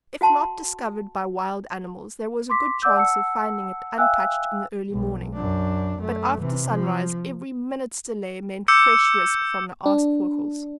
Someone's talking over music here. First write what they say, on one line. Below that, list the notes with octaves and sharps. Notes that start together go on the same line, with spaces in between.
If not discovered by wild animals there was a good chance of finding it untouched in the early morning; but after sunrise every minute's delay meant fresh risk from the aasvogels.
F#4 F#5 A5 C6
C6 D6 B6
D5 F#5 D6 E6 G6
F#5 A5 E6 C#7
E5 F5 G5 G#5 E6 F#6
B1
F#2 D4
F#2 A3
C3 E3
F3
D6 E6 G6 C#7
D4